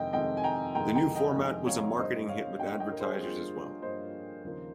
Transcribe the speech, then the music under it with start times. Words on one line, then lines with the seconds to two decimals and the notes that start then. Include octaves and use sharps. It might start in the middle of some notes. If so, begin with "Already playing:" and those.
The new format was a marketing hit with advertisers as well.
Already playing: F2 C3 D#3 G#3 D#5 G5
0.13 F2 C3 D#3 G#3 D#5 G5
0.37 G#5
0.44 G5 A#5
0.74 F2 C3 D#3 G#3 G5 A#5
0.95 G5 A#5
1.16 D#5 G5
1.37 F2 C3 D#3 G#3
1.67 C#5 F5
1.98 G2 G3 A#3 C5 D#5
2.29 C#5 F5
2.59 G2 G3 A#3 D#5 G5
2.80 D#5 G5
2.92 A#4
3.00 G#4 C5
3.21 G2 G3 A#3 F4 G#4
3.82 G2 G3 A#3 C5 D#5
4.43 D#2 C#3 F3 A#3